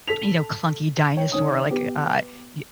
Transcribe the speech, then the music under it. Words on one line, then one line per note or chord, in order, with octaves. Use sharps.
you know, clunky dinosaur, like, uh, uh, y
A4 B6 F7
C#5 G5
D#3 C#4 D#6
B3 G4